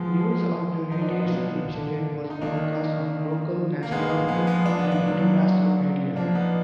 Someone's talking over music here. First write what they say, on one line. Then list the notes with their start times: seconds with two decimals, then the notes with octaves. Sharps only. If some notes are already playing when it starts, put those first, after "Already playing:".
News of the radiation incident was broadcast on local, national, and international media.
Already playing: F3 G#3 B3
0.91 F3 D#4
1.02 D4
1.10 B3
1.20 A#3 D4
1.29 B2
1.66 D3
2.30 D#4
2.42 D#3 A#3 D4
3.83 A#3
3.91 D#3 G#3 B3
4.10 A#3
4.28 F3 G#3 B3
4.47 G#3 B3
4.66 F3 D4
4.79 B3
4.91 A#3 D4
5.04 F#3
6.16 F3 A#3 D4
6.35 B3 D#4